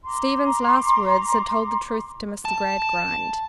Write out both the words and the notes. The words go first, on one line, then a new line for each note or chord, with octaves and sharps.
Stephen's last words had told the truth to Mr. Gradgrind.
A#5 C6 D6
A5